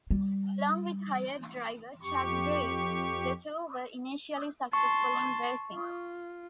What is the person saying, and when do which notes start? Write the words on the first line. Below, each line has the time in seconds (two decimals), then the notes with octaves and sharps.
Along with hired driver Chuck Daigh, the two were initially successful in racing.
0.11 G3
2.02 F2 G4 C#6
4.73 A5 C6 C#6
5.75 F4